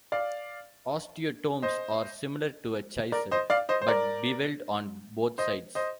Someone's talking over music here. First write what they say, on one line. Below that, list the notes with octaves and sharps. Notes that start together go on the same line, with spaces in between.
Osteotomes are similar to a chisel but bevelled on both sides.
D5 F5
C5 D#5
A#4 D5
C5 D#5
D5 F5
C5 D#5
C5
A#4 D5
C5 D#5
C5 D#5